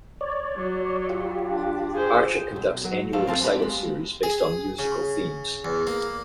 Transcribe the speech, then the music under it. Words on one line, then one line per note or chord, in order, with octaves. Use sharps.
Archer conducts annual recital series based on musical themes.
C#5 D5
F#3
F4 G4
D4
G#4 C5
B1
F#3
F2 G#2 A3 A4 F5
C4 F5 A5
G4 B4
G#3
G#4
C#3
E2
A#3